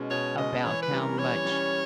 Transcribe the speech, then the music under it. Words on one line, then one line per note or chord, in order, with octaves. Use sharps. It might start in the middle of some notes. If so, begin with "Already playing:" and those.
about how much
Already playing: B2 G#3 C#4
B2 C#5
G#3 C#4 D#5
E3 C#5
B4
G3 C#4
A#4
E3 C#5
G3 C#4